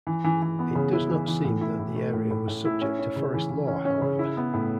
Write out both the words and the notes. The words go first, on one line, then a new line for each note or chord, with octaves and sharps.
It does not seem that the area was subject to forest law however.
E3
E3
E3
B3
C#3
E4
E3
E3
A2
E4
A2
A3
A2
A2
A2
E4
C#4
C#4
C#3
E3
E3
C#4
C#4
C#3
E4
B3
A2